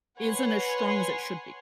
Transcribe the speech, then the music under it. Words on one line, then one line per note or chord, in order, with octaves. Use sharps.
isn't as strong as it should be.
B4 C#5 F#5 G#5 C6